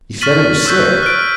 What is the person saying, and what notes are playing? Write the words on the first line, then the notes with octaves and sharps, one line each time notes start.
He said he was sick.
C#6 F6 A6 B6 D#7 F#7
C#6 E6 F#6 G6 B6
F6 D7